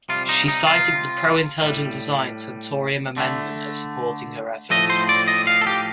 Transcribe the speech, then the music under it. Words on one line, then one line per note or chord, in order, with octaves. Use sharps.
She cited the pro-intelligent design Santorum Amendment as supporting her effort.
C3 G3 F4
D#4
D#4
F4
A2 G3
D3 A3
A2 F3 A3 D#5
C5
D5
D#5
F5
A4
G4